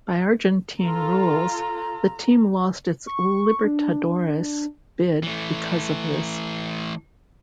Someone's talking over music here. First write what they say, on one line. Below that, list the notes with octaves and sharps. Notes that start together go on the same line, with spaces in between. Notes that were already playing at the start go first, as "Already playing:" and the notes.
By Argentine rules, the team lost its Libertadores bid because of this.
F4 A4 A#5
C#6
D4
E3 A3